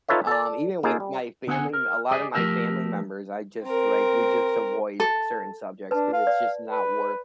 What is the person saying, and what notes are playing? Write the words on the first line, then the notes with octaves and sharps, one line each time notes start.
um, even with my family m a lotta my family members, I just, like we just avoid certain subjects 'cause it's just not worth,
D#4 F4 A4 B4 C#5 E5
A4 D5
A#3 D#4 F4 G#4 A4
G3
D3 B3 F#5 G#5
A#4
G4 G#4 D5 D#5
F3 F#3 A3 G4 A#4 E5
C4 A#4
A4
D4 B4 A5
F5
D5
B4